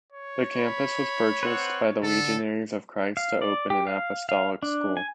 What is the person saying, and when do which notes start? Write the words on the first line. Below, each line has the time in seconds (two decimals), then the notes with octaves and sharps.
The campus was purchased by the Legionaries of Christ to open an apostolic school.
0.12 C#5
0.55 B5
1.43 C4 B4 C5 F#5
2.03 D3 A4
3.17 F5
3.42 D5
3.70 G4
3.87 F5
4.29 F5
4.63 D4
4.97 G#5